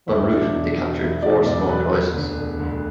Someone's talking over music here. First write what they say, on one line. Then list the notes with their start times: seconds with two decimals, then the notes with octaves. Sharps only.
En route, they captured four small prizes.
0.08 E1 E4
0.31 E2 B2 D4
0.53 E1
0.77 E2 B2
1.00 E1 E4
1.22 E2 B2 D5
1.45 E1 D5
1.58 A4
1.68 E2 B2 B4
1.91 E1
2.13 D2 D3
2.37 E1
2.60 D2 D3